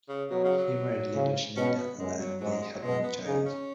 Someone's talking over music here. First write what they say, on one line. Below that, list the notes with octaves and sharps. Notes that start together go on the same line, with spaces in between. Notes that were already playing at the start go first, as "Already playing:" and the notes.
He married Leadell Schneider and they had one child.
C#3
B2 F#3
C#3
F#3
C#3
B2 C#4
B3
F#2 G#3
F#3
G#2 F#3
G#3
G#3
F#3
B2 G#3
B3
C#3 D#4
C#4